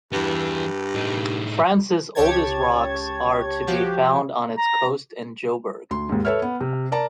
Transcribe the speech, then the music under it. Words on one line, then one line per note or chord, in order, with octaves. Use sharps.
France's oldest rocks are to be found on its coast in Jobourg.
G2 E3 B3
A2 D#4
C#2 G4 C#5 A5 G#6
F3 F#4 G4
A#5
D2 C6
D#2 G#2
A4 B4 C#5 E5 F6
B3
C3
A#4 D5 A5 A#5